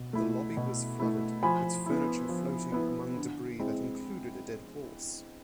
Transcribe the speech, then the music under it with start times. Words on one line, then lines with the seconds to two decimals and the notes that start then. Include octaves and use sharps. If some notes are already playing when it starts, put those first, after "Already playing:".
The lobby was flooded, its furniture floating among debris that included a dead horse.
Already playing: B2
0.13 A3 E4
0.57 B2
1.00 A3 E4
1.43 F3 G#5 B5
1.86 B3 E4
2.29 F3
2.72 B3 E4
3.16 D3
3.59 G#3 C4 E4